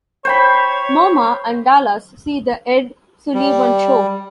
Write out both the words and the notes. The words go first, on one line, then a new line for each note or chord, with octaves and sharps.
Momma and Dallas see the Ed Sullivan show!
C5 C#5 G5 B5
G3